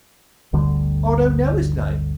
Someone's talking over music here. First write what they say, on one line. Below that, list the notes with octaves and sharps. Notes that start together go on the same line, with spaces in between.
"I don't know his name."
G1 D2 D3 G3